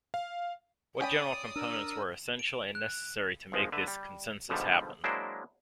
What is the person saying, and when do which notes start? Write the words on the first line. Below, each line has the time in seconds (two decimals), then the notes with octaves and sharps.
What general components were essential and necessary to make this consensus happen?
0.14 F5
1.01 C#4 D5 G5 B5 D#6
1.56 D4 A#4 E6
2.39 D7
2.75 F#6
3.52 G#1 F3 G#3
3.72 D3 B4 E5
3.88 G3
4.49 G#2 B2 D3 F3 G3
5.04 F#3 G#3 A#3 D4 E4 C5